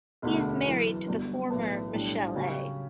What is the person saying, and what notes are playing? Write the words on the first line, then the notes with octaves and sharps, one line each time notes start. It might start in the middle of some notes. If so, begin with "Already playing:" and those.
He is married to the former Michele A.
E1 D2 D3 A3
F#2 E3 B3
G1 G2 F#3
B1 A2 E3 B3 E4
B1 A2 G3 D4 A4
F#2 C#3 F#3 C#4 G4